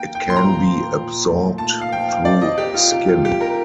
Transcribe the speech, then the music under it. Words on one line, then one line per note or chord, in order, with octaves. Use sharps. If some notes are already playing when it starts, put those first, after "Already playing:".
It can be absorbed through skin.
Already playing: A#3 G5
G5
A#2 C6
A#5
F3
A#2
A3
A#2 A5
F5
F3 G5
F5
C4 D5
D#5
A#3 G4
F4
C3 G4
F4
G3 G4
A#4